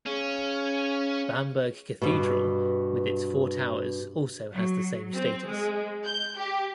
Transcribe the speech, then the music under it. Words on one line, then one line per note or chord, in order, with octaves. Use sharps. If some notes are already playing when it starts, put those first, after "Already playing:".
Bamberg Cathedral with its four towers also has the same status.
C#3 C#4
G2 B2
F#3
C4
G#3
G6
G4